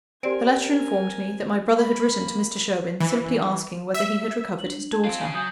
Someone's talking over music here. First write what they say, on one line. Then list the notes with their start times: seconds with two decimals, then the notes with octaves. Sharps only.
The letter informed me that my brother had written to Mr. Sherwin, simply asking whether he had recovered his daughter.
0.23 C4 G4 A#4 D5 G#5 D7
1.76 A#3 B5
3.00 E3
3.94 E5
4.59 D4 F#7
4.92 A5 G#6
5.05 C4 F4
5.20 C#3 G#5
5.34 F#3 D#6 G6